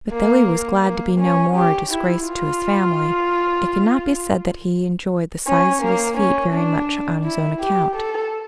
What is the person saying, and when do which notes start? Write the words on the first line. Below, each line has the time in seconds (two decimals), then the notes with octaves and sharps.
But though he was glad to be no more a disgrace to his family, it cannot be said that he enjoyed the size of his feet very much on his own account.
0.13 A#3
0.84 A#3
1.20 C#4
1.56 G4
1.91 E4
2.27 F4
5.47 C#4
5.82 A#3
6.18 C#4
6.53 D4
7.25 E4
7.61 G4
7.96 A4